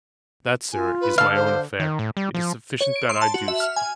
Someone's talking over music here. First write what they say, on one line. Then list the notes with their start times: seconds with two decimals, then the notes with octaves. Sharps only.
"That, sir, is my own affair; it is sufficient that I do so."
0.73 F4 G#5
1.01 B4
1.18 D3 A4 F5
1.34 C5
1.80 D#3
1.99 A2
2.17 G3
2.34 F3
2.81 C#5
2.96 D7
3.09 C6
3.22 A5
3.34 F#4
3.48 E5
3.60 F6
3.76 G#5